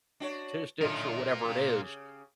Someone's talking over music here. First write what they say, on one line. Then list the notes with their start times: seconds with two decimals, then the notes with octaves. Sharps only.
statistics, or whatever it is,
0.20 D4 F#4 C#5
0.81 F#2 D3 D#3 F4 A#4
1.45 C#3 G4